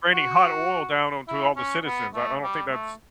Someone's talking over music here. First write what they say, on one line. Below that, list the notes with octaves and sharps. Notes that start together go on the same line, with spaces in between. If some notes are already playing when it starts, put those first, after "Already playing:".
raining hot oil down onto all the citizens. I I don't think that's
F#4
E4
C#4
B3
A3
G3
A3